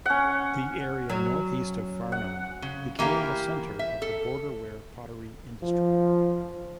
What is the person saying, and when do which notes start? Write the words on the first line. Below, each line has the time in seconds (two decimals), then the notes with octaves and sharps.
The area northeast of Farnham became the centre of the Border ware pottery industry.
0.06 C#4 F#5
1.10 F#3
2.12 F#5
2.62 C#3
2.99 E3 A#3 G4 F5
3.79 E5
4.02 A4
5.63 F3